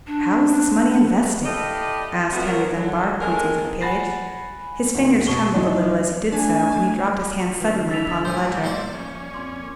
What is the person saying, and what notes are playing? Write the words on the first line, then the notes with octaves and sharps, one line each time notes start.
"How is this money invested?" asked Henry Dunbar, pointing to the page. His fingers trembled a little as he did so, and he dropped his hand suddenly upon the ledger.
D4
E4 G4 A4 D5 D#5 F5
G3 A3 B3 C4 E4 F#4
F4 F#4 A#4 C#5
D3 F#3
D#3 G#3 A4 A#4
F#5 G#5 B5 A6 A#6 C7
D2
B2 C#6 G7
E2 F#3 D#4 E4
A3 D4 G#5
A3
D3 F3 B4
E3 E4 A6 B6 F7
A2 G3 C5 C#5 G#5 G6
A#3 C5 D5
F3 C#4
F2 C6 D6 G#6